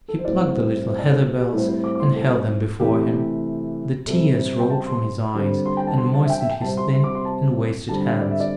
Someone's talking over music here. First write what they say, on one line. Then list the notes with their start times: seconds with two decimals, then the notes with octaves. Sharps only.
He plucked the little heather-bells, and held them before him; the tears rolled from his eyes, and moistened his thin and wasted hands.
0.08 A4
0.19 C5
0.25 A2 G3 C4 D5
0.88 C5
0.99 D5
1.09 A4
1.41 G4
1.52 A2 G3 C4 A4
1.68 C5
1.84 D6
1.95 D6
2.00 C6
2.15 A4
2.80 C3 E3 A3 G4
4.07 C3 G3 C4 A4
4.60 G5
4.70 A5
4.87 C6
5.34 D3 G3 C4
5.66 C6
5.77 G5
5.87 A5
5.97 C6
6.14 A5
6.25 E5
6.30 G5
6.41 E5
6.51 G5
6.61 C3 G3 C4 A5
6.77 C6
6.93 C6
7.04 D6
7.15 C6
7.25 A5
7.88 D3 G3 C4 A5
8.05 E5
8.21 D5
8.31 E5
8.40 D5